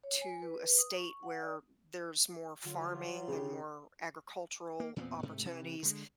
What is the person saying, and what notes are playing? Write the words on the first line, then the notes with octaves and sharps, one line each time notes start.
to a state where there's more farming and more agricultural opportunities
C#5
G#5
B4
D#6
C#6
F#5
D5
D3 F#3 F4
C#3 G4 G#4
A#3
E2 A#2 B3 C4
G#2 C3 A3
C3 E3
D3 G#3